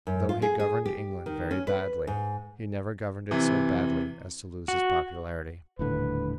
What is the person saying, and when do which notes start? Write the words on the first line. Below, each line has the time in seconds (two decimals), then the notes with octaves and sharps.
Though he governed England very badly, he never governed it so badly as to lose his popularity.
0.07 F#2
0.29 F4
0.42 G#4
0.60 G#4
0.86 G4
1.26 D#3
1.51 C#4
1.67 B4
2.07 G#2
3.31 C3 E3
4.68 F#4
5.79 D#1 A2 D3 B4